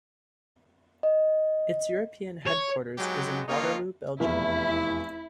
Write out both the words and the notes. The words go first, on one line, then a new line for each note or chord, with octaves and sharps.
Its European headquarters is in Waterloo, Belgium.
D#5
C#5
G#2 F#3 G#3 B3 G4
G2 A#3 D#4 F4 C#5
F1 E2 E4